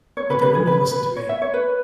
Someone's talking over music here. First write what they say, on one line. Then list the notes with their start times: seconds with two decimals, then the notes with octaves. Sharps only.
But they wouldn’t have listened to me.
0.17 C#5
0.30 B4
0.42 B4
0.55 G#4
0.67 B4
0.91 B4
1.16 C#5
1.29 E5
1.42 C#5
1.54 B4